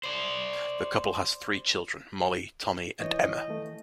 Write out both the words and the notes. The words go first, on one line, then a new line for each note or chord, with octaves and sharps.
The couple has three children, Molly, Tommy, and Emma.
C5 D5
E3 C#5 D#5 G6
D#3 E3 A3